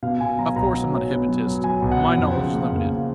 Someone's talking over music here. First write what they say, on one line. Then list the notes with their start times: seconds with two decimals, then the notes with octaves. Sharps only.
Of course I'm not a hypnotist; my knowledge is limited.
0.03 B2 F5
0.21 B2 G#5
0.39 F#3 A#5
0.56 B1 A#5
0.74 F#3
0.92 F#3
1.11 B3
1.28 F#3
1.46 F#3
1.64 F#3 G#5
1.82 B1
1.92 F#5
2.00 B3
2.18 F2
2.36 C#3
2.54 A#3
2.71 F2